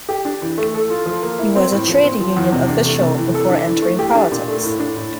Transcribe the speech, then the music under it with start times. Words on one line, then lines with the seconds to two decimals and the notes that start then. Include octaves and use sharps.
He was a trade union official before entering politics.
0.09 G4
0.25 D4
0.42 E3
0.58 A3
0.74 A4
0.90 F4
1.06 F3
1.22 A#3
1.39 E4
1.56 C4
1.72 A2
1.88 F3
2.04 C4
2.20 F3
2.37 E2
2.52 C3
2.68 D4
2.85 A3
3.01 C3
3.18 E3
3.34 A4
3.50 D4
3.66 E3
3.82 A3
3.99 G4
4.15 D4
4.32 A#2
4.48 A3
4.64 A2
4.79 D4
4.97 A2